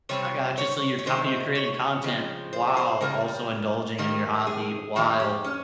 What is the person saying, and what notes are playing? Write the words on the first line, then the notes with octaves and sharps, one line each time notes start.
I gotcha. So, you're co you're creating content, while also indulging in your hobby, while
C3 G3 C4 C#5
C#5
C#5
C3 D#3 G#3 C5
C#5
C#3 F3 G#3 C4
C5
C5
C#3 G3 A#3 A#4
G#2 D#3 G3 A#3
G#4
F2 D#3 A#3 G4
G4
C#4